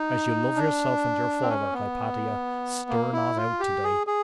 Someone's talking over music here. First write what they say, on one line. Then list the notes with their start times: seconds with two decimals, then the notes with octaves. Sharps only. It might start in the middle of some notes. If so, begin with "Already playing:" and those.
As you love yourself and your father, Hypatia, stir not out to-day.'
Already playing: D#4
0.56 D4
1.42 C4
1.49 C#4
1.73 B3
2.89 A#3
3.13 E4
3.37 F4
3.60 G4
3.84 G#4
4.07 G#4